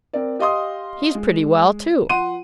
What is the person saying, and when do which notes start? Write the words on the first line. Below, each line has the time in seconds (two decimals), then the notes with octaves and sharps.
He's pretty well, too.'
0.13 C4 A#4 D5
0.39 G4 D#5 F5 C6 D#6
1.15 G#3
2.09 F3 F#5 C6 D#7